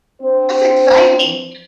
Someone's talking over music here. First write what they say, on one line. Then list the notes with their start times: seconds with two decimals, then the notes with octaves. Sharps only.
That's exciting.
0.22 C4 D4 C5